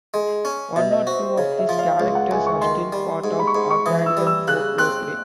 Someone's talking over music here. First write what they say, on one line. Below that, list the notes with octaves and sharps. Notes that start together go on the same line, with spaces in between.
One or two of these characters are still part of Orcadian folklore today.
G#3
C#4
B2 E5
D#5
F#4 C5
C5
C#3 C#5
E5
F3
F5
C#2 F5
F#5
C#2 G#5
C#6
D#3 C6
G3
G#2
B5
C#6
G#2 C6
C#6
E3 D#6
E6
G3
E6
C#3 F#6
C4 F#6